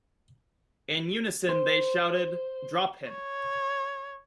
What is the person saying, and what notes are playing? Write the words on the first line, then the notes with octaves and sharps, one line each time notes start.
In unison they shouted: 'Drop him'.
C5
C#5